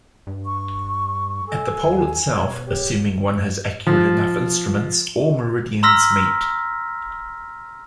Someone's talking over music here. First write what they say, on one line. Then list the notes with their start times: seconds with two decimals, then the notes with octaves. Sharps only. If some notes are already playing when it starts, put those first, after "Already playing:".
At the pole itself, assuming one has accurate enough instruments, all meridians meet.
0.27 G2
0.46 C#6
1.47 A4 G#5
1.86 D#2
2.30 B2 C#5
2.66 G4 C#5
3.87 F3
5.83 A#5 C6 E6 F6 A#6 B6